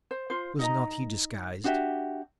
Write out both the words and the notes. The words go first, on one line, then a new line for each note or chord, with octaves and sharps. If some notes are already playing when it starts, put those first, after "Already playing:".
Was not he disguised?
C5
F4 C5
D#4 D#5 A#5
D4 F#4 G4 E5